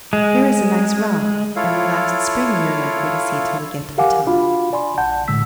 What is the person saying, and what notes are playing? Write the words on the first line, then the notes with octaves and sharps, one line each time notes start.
Here's a nice rock, and the last spring we are likely to see till we get to the top.
G#3
E4 F4 A4 C#5 F5
G4 A#4 F5 F#5 G#5 D6
D4 F4 F#4 F5 B5
D5 G#5 B5 C6
A#1 F#5 A5 G6
A2 D3 G#3 E6 B6